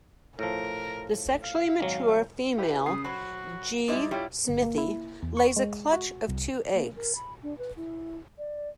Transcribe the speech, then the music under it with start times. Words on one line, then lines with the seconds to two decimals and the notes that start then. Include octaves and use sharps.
The sexually mature female "G. smithii" lays a clutch of two eggs.
0.39 A2 F3 A#4
1.43 F5
1.80 G#1 F#3
2.58 E4 G4 B4
2.86 C#3 D#6 C7
3.04 F#3 F#4 C5 B5
3.88 G3 G#3 D#4 E4 C5 D5
4.11 G3 E4 F4 G4 C#5
4.48 G1
4.63 A#3
4.78 E4
5.23 E2
5.37 C#6
5.56 G#3
5.93 F#4
6.29 C2
6.74 A#3
6.96 A#4
7.15 B5
7.43 D4
7.58 B4
7.76 E4
8.38 D5